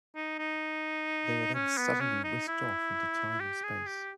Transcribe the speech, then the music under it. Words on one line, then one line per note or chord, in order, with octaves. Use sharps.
They are then suddenly whisked off into time and space.
D#4
D#4
C#4
B3
C#4
D#4
E4
G4
G#4
G4